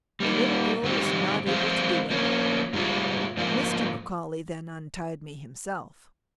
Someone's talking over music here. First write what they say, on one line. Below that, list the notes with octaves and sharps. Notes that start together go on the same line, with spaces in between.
The little girl was not able to do it; Mr. McCaully then untied me himself.
G3 A#3 D#4
G#2 D#3 G3 C4 G4
F3 G#3 C4 F4
F3 A#3 C#4
G#2 G3 C4 F4 G#4
G#2 F3 A#3 F4